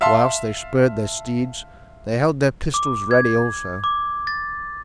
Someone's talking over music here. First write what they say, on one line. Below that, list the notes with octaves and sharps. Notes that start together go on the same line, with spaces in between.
Whilst they spurred their steeds they held their pistols ready also.
E5 F5 A5 C6
D6
G#6
D6
A6